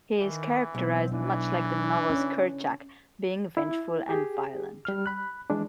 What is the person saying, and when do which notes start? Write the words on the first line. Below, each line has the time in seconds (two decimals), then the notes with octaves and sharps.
He is characterized much like the novel's Kerchak, being vengeful and violent.
0.19 D#3 E3
0.75 B1 C4
1.12 E3 D4 E4
2.10 C#4 C#5
3.57 E4
4.09 G4 G#4
4.85 G3 F6
5.06 B5 F#6
5.50 E3 G#3 D4